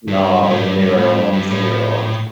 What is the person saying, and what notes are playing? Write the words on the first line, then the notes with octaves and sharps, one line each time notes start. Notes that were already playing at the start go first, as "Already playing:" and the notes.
No, the newer ones, the newer ones.
G2
G2
A2
G2
G2
A2
G2
G2
A2